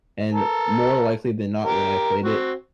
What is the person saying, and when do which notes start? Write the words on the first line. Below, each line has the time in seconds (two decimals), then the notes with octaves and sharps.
and more likely than not when I played it,
0.32 A4 A#4
1.64 G4 A#4
2.22 C4 F#4